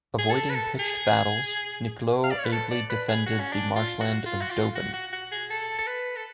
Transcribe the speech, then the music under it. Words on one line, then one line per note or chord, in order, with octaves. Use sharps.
Avoiding pitched battles, Niklot ably defended the marshland of Dobin.
G#4
A4
B4
A4
G#4
F5
D5
C#5
B4
A4
D5
B4
G#4
F#4
C#4
D4
F4
F#4
F4
F#4
F4
F#4
F#4
F#4
G#4
A4
A4
B4
A4